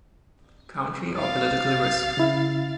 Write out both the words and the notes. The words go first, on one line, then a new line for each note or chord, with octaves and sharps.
Country or political risk.
F5 A6
C#3 E4